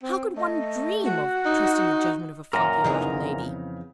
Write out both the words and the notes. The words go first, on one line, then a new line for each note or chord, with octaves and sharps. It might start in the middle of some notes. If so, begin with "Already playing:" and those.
How could one dream of trusting the judgment of a flunkey about a lady?
C4
A3 D#5
F#4
D#4
F#2 A#2 A#4 A#5
F2 C#3 E3 B3 D#4 G#4